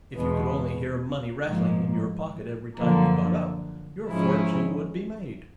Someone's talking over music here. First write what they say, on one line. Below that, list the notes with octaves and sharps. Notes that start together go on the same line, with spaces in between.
"If you could only hear money rattling in your pocket every time you got up, your fortune would be made."
E2 B2 G#3 B3
G#2 F3 A#3
F#2 D3 F3 A#3
G#2 F3 G#3 C#4 E4